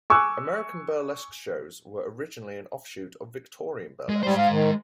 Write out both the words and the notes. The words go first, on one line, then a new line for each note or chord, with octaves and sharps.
American burlesque shows were originally an offshoot of Victorian burlesque.
G#5 C#6 D6 E6 F#6
G#3
G3 G#3 C5
F5
D#3